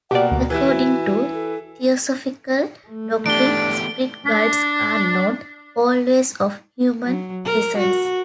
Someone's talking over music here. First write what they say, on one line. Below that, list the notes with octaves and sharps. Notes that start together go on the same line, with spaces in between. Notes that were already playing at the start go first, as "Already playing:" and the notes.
According to theosophical doctrine, spirit guides are not always of human descent.
B2 A#3 G4 D5 F#5
D2
E3 E4 G4
F#4
A4
A3
E3 B3 D4 G4 D7 G7
D4
F#3
A#4
F#4